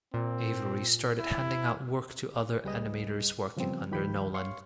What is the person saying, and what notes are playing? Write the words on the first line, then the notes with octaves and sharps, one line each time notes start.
Avery started handing out work to other animators working under Nolan.
A#2 C4
E4
C#2 G3 G#4 B4 D#5
C#3 F3 G3 B3 C4
C#2 D#3 F3 G4 B5 G6
C#5 F5 C6 C#6